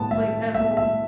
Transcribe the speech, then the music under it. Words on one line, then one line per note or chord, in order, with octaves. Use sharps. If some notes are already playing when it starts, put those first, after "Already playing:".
Like, at home.
Already playing: A2 G#3 B3 A5
E5
E5
E5